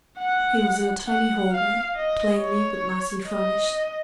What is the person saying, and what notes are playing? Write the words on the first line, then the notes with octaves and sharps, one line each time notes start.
He was in a tiny hallway, plainly but nicely furnished.
F#5
F#5
F5
D#5
C#5
D#5